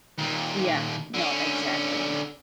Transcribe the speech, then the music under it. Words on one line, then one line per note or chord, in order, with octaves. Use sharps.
Yeah, no, exactly.
D#2 A#2
D3 C#4